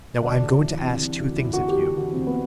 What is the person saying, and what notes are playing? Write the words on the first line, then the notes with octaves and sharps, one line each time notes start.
"Now I am going to ask two things of you."
D2 D4
D2
E3
C3
E3
D2
D2 E4
F#4
E3
G4
D2
G4
E3 F#4
D2 C4
B3